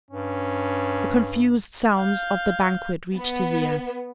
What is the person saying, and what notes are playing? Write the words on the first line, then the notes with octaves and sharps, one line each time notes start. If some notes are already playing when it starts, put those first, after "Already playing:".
The confused sounds of the banquet reached his ear.
G2 C#4
F5 G6
B3